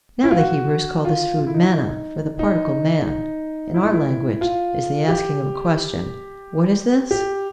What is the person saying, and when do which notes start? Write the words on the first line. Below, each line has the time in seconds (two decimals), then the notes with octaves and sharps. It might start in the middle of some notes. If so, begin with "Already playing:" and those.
Now the Hebrews call this food manna: for the particle man, in our language, is the asking of a question. What is this?
0.23 E4
0.31 F4
0.38 F#4
1.05 F4
1.38 F4
1.47 E4
1.54 D#4
1.62 E4
1.73 D#4
2.39 D#4
3.07 D#4
3.74 E4
3.83 D#4
3.91 E4
4.41 F4
5.09 G4
7.11 G4